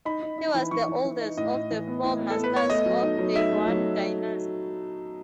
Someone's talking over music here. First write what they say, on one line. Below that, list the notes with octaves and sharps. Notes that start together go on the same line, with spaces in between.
He was the oldest of the Four Masters of the Yuan Dynasty.
D#4 B5
D#4
D#4
E3
E3 C#6
E3
E3
D#4
A2 D#5
A2
E3
B3
A2
B3
A4
B3
B4
B3 C#5
A3 D#5
F#3
D#4
F#3
D#4 E5
A3
F#3